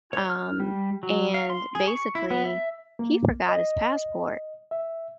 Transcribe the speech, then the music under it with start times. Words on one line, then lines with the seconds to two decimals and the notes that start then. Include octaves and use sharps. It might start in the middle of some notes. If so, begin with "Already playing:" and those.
um, and basically, he forgot his passport,
0.13 C#5
0.30 F6
0.60 G3
1.03 F#3
1.34 F5
1.50 C6
1.75 G#4
1.88 C#6
2.15 E4
2.30 B3
2.45 E5
2.99 A#3
3.49 D#5
4.71 E5